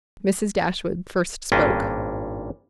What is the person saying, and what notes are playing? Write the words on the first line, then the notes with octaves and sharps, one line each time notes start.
Mrs. Dashwood first spoke.
G#1 G2 A#2 C#4 D4 D#5